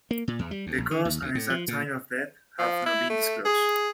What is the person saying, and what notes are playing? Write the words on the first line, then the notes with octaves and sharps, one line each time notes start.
The cause and exact time of death have not been disclosed.
A#3
A#2
E2
G3
D2
A#1
D3
D#2
D2
A2
F3
A#2
F3
E4
A3
G#4